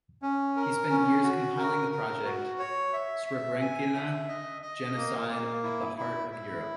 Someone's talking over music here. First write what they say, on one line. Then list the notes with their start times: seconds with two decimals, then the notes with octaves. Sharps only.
He spent years compiling the project "Srebrenica - genocide at the heart of Europe".
0.22 C#4
0.56 A#4
0.90 C#4
1.23 F#4
1.57 A#4
1.91 A#4
2.25 F#4
2.59 C#5
2.93 E5
3.26 E5
3.61 G#5
3.94 E5
4.28 D#5
4.62 D#5
4.96 A#3
5.30 A#3
5.63 E4
5.97 E4
6.31 E4